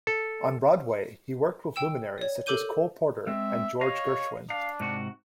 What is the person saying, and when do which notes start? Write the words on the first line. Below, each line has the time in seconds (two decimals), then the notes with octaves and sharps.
On Broadway, he worked with luminaries such as Cole Porter and George Gershwin.
0.07 A4
1.76 G5 E6 E7
2.18 C#5 D5
2.46 A4 A#4 D6 G6 D#7 G7
3.27 G#3 C4 E5
3.81 C#5 D#5 F5
4.50 D4 F5
4.80 G#2 C3 F#4